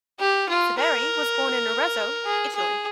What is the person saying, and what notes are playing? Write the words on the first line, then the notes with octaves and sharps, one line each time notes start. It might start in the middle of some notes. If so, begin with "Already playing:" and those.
Severi was born in Arezzo, Italy.
G4
F4
A#4
G#4
G#4